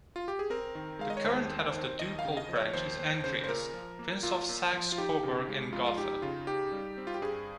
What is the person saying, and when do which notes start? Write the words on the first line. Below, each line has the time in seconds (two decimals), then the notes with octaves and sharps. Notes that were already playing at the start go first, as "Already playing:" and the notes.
The current head of the ducal branch is Andreas, Prince of Saxe-Coburg and Gotha.
0.16 F4
0.28 G4
0.39 G#4
0.50 C4 A#4
0.75 D#3
0.99 G#3 F5
1.10 D#5
1.17 C#5
1.24 D#2 C5
1.50 C4
1.74 D#3
1.99 D#2 D#5
2.19 F5
2.25 C#3
2.37 D#5
2.49 F3
2.56 C#5
2.73 D#2 C5
2.98 D#2 C5
3.24 C#3 C5
3.44 C5
3.49 A#2 A#4
3.73 F3
3.99 A#3
4.23 A#2 F4
4.49 A#2
4.73 F3
4.92 F4
4.98 D#4 G4
5.23 C#3
5.49 G#3
5.73 F2 F4
5.86 F4
5.97 D#4 G4
6.22 C#3 F4
6.47 D#4 G4
6.72 G3
6.98 C4
7.07 F4
7.14 G4
7.22 G2 G#4